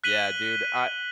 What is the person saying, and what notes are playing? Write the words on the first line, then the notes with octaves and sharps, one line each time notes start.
Yeah, dude, I
F#6 B6 D#7 F#7 G7